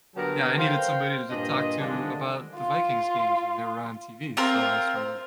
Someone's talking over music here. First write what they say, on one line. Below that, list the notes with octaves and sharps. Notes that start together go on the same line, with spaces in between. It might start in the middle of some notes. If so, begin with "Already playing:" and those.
Yeah, I needed somebody to to talk to about the Vikings' games when they were on TV, so I started
D3 F#3 B3 G4 A4 A#4
A#4 C5 F5 G5 C6
G2 A#2 D4 D#5
D3 D#3 F3 G3 G#3 D4
F4
C4 F4 A#4